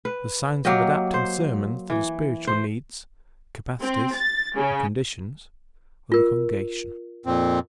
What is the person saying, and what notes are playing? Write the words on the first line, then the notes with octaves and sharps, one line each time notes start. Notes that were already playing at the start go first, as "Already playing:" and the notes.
The science of adapting sermons to the spiritual needs, capacities and conditions of the congregation.
B4
F#3 A#3 G4 D#5
C5
E3
C5
C4
A6
C#3
F4 A#4
F2 A#2 C4